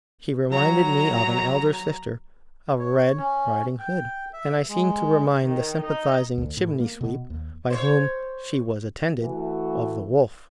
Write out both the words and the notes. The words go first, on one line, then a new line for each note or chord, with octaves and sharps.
She reminded me of an elder sister of Red Riding Hood, and I seemed to remind the sympathising Chimney Sweep by whom she was attended, of the Wolf.
F#3 A#5
C#5
C#4
G5
E5
G#3
D#3
D#4
D2
A2
A#3
B2
D#2
C5 C#5
E3 A3 F#4